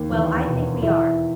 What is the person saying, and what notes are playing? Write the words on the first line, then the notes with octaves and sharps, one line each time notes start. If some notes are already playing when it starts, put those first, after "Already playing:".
Well, I think we are.
Already playing: D#2
E2
B2
E2 E4